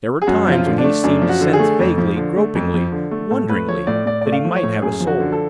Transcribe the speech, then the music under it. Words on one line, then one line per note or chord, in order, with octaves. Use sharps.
There were times when he seemed to sense vaguely, gropingly, wonderingly, that he might have a soul.
G#4
F#2 F#4
F3
F4
D3
D4
A3
F#2 D4
F3
F#4
D3
G#4
A3
F2
F3
D3
A3
F2
F3
D3
A3
A2 A4
A3 B4
F3 C#5
A2 D5
A2 D5
A3 D5
F5
F3
C#5
A2
F#2 G#4
F3
F#4
D3
A4